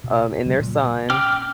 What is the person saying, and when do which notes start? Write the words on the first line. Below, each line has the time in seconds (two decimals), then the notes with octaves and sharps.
um, and their son,
0.04 B2
0.46 C#3 F#3 G#3
0.60 A#2
1.10 C#4 G5 D6 F6